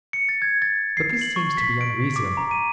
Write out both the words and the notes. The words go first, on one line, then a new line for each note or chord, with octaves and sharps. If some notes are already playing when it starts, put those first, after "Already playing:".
But this seems to be unreasonable.
C#7
A6
G#6
A6
C7
F#7
C#6
B6
D7
D6
A#5
D#7